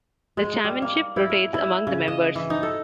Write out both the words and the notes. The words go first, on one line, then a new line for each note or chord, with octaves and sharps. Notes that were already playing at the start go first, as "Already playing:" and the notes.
The chairmanship rotates among the members.
G#3
G3
A#3
E4
A#4
E4
C#3
D#5
E3
D#4
A4